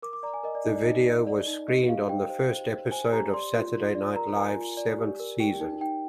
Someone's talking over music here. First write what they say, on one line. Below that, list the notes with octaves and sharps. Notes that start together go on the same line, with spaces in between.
The video was screened on the first episode of "Saturday Night Live"s seventh season.
A#4 D6
D6
D5 A#5
G#5
A#4 D#5
D5
D#4 D#5
D5
D#4 D#5
D5
D5
D#4
G4 D#5
G4 F5
C5 G5
C5
C5
C5
C5 G#5
G4 A#5
D5 C6
F4
F4
D5
A#4 A#5
A#4 G#5
F4
D5
G4
A#4
G4 G5
D#4
D#4 G5